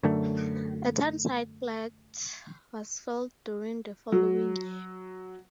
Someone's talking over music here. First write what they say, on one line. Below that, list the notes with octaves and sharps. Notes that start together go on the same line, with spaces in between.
A townsite plat was filed during the following year.
F#2 D3 A3
F#3